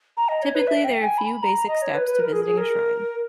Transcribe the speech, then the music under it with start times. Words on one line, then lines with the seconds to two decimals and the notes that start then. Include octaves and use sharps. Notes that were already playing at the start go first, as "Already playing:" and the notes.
Typically there are a few basic steps to visiting a shrine.
0.17 A#5
0.29 D#5
0.42 C#5
0.55 B4
0.67 E5
0.84 G5
1.02 G#5
1.18 B5
1.43 A#5
1.68 D#5
1.82 C#5
1.94 B4
2.07 B4
2.19 A#4
2.32 G#4
2.45 G#4
2.58 A#4